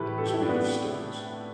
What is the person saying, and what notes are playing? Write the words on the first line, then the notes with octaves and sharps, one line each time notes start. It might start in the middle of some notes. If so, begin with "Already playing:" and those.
It was made of stones.
Already playing: A2 E3 A3 G4 B4
A4
G4
E4
D4
B3